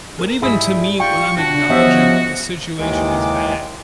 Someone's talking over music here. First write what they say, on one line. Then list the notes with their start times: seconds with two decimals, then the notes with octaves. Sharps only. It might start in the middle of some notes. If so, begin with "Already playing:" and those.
But even to me, when I'm acknowledging the situation is bad,
0.18 G#4 A#4
0.42 G#2 G3 E4 G#4 E5
1.00 F4 F5 G5 C#6
1.36 B2 D4 F#4
1.70 F3 G3 B3 C#4 D#5 E5
2.78 D#2 D#3 E3 G#3 D6